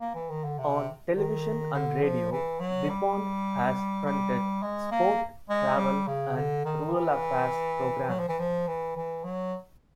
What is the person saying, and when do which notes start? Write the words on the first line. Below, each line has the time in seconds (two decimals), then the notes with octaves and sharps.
On television and radio Vipond has fronted sport, travel and rural affairs programmes.
0.01 A#3
0.15 E3
0.30 D#3
0.44 D3
0.58 C3
1.16 D#3
1.74 D3
2.03 F3
2.32 E3
2.60 F#3
2.90 G3
4.05 G3
4.63 G#3
4.91 A#3
5.50 G#3
5.78 G3
6.07 C#3
6.36 D3
6.65 D#3
6.94 E3
8.09 F#3
8.19 F3
8.29 E3
8.40 F3
8.68 E3
8.97 E3
9.24 F#3